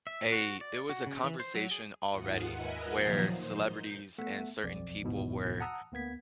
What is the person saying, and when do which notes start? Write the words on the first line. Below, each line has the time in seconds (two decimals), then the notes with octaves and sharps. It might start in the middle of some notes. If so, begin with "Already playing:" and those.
a it was a conversation already where celebrities and certain people were,
0.07 E5
0.32 F#4
0.61 D5
0.89 F#4
1.06 C#3
1.24 E3
1.40 C5
1.55 F#3
1.71 G#4
2.11 D#2 G#2 F4 F#5 D#6 C#7
2.48 A#4 B4 D#5 E5 F#5 G#5
2.91 A#2 D#3 F3 F#3 A#3
3.31 D#4 C5
3.60 G6
4.18 A3 B3 E5 F#5
4.63 B1 F2 D5
5.02 G#1 E2 G#2 B2 E3
5.60 F#5 A5 A#5 D#6 E6
5.92 D2 A#3 B3 G#6 B6